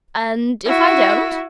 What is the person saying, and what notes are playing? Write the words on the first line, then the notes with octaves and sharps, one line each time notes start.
"And if I don't?"
E4 F#4